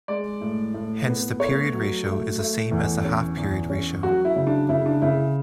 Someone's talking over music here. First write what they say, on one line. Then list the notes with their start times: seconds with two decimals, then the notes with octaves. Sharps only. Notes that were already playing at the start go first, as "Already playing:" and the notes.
Hence the period ratio is the same as the "half-period ratio".
0.08 G#3 D5
0.41 A2
0.74 A2
1.07 B3
1.40 A3 C#5
1.73 F#3
2.06 A3
2.38 A3
2.71 E2
3.04 C#4
3.37 E2
3.70 C#4
4.03 F#3 F#4
4.25 E4
4.36 C#3
4.47 D4
4.69 C#3 E4
4.86 D4
5.02 C#3 E4